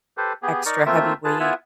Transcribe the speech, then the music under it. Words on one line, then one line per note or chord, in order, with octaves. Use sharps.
extra, heavy weight.
G4 A4 B4 C5
B3 G4 G#4
D#4 A#4 D5 C#6
A3 A#3 C4 F4 E5
F4 G#4 B4 A5
B3 E4 F4 E5 F#5 G#5